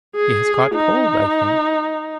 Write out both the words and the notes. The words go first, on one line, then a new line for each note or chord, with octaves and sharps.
"He has caught cold, I think?"
G#4
D#4